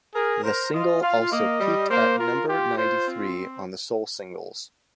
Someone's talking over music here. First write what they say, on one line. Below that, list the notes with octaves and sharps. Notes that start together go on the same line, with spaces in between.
The single also peaked at number ninety-three on the soul singles.
G#4 A#4
A#4 C5
F4 D#5
F4 F5
A#3 D#5
G3
A#3 C5
F4 A#4
F4 G4
F4 C5
C4